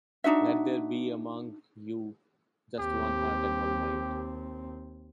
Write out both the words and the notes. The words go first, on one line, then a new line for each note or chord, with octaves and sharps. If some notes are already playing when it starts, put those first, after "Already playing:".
Let there be among you just one heart and one mind.
D4 D#4 F#4 E5
D#2 C4 G4